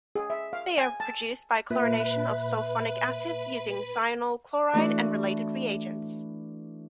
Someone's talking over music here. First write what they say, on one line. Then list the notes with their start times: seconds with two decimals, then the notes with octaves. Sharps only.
They are produced by chlorination of sulfonic acids using thionyl chloride and related reagents.
0.15 G#4
0.30 E5
0.53 F5
0.78 G#5
1.00 A5
1.70 A#2 B4 E5
4.74 E3 A3 D4 F#4